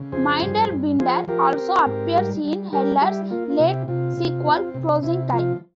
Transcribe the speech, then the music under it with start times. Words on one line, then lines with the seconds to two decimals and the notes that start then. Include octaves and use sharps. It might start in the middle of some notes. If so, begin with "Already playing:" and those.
Minderbinder also appears in Heller's late sequel "Closing Time".
Already playing: C#3
0.12 F2 G#4 C5
0.42 G2
0.71 G2
0.99 F3 G#4 C5
1.28 F3 G4 A#4
1.57 C4
1.86 G#2
2.15 G3
2.44 G3
2.73 G3 G4 A#4
3.01 G3 E4 G4
3.30 A#3 F4
3.50 F4
3.60 C3
3.69 E4 G4
3.88 C3 F4
4.17 C3
4.46 C4
4.74 C3
5.03 C3 E4
5.33 F3 F4